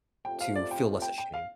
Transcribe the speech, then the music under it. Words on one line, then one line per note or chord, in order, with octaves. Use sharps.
to feel less ashamed?
F2 C3 F3 A3 G5
F5
D5
G5
G5
G5
F5